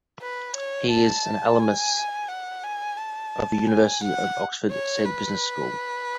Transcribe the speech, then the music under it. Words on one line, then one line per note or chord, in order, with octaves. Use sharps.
He is an alumnus of University of Oxford Said Business School.
B4
C#5
A5
G#5
F#5
G#5
A5
G#5
F#5
C#5
B4